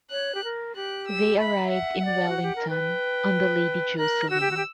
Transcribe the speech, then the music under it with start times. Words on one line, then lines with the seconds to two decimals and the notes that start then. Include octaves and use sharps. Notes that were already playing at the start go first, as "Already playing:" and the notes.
They arrived in Wellington on the "Lady Jocelyn".
0.11 C#5 F#6
0.35 G4
0.44 A#4
0.76 G4 F#6
1.08 E6
1.40 E5 B5
1.64 E5
1.72 F#5
2.00 E5
2.05 D5
2.29 F#4
2.43 G4
2.56 A#4
2.69 B4 G5
3.98 A#4 F#6
4.30 F#4 E6
4.41 G4
4.51 F#4
4.57 G4